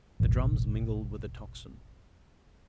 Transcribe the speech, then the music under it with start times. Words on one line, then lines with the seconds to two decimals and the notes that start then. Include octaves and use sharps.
The drums mingled with the tocsin.
0.20 E1 A1